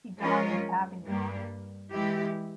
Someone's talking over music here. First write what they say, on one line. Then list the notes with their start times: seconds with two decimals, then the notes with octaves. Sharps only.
He died in Avignon.
0.20 F3 G#3 C#4 F4 A#4
1.06 G2 G3 A#3
1.92 E3 G#3 E4 G4